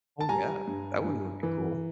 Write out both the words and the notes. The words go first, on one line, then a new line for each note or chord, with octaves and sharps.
Oh, yeah. That one would be cool.
A5
G3 G#5 A#5
G2
G2
E3